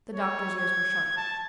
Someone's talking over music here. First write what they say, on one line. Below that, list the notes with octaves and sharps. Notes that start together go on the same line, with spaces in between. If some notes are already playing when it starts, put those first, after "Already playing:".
The Doctor's ears were sharp.
C#5
G#6
A5